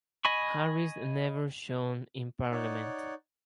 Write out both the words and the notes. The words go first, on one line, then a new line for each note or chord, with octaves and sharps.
Harris never shone in Parliament.
D#5 G#5 B5 C#6
D#4 C#5 D5 F#5